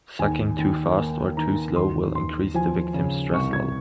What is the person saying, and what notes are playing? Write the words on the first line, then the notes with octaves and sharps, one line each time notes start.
Sucking too fast or too slow will increase the victim's stress level.
D#2 G#5
D#2
A#3
D#3 A#5
D#2 C6
D#2 C6
F3 G#5
C#3
C2 C#6
G#6